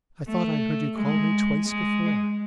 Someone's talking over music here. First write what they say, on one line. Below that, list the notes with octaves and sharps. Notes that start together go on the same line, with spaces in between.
I thought I heard you call me twice before!
A3
G#3
G#3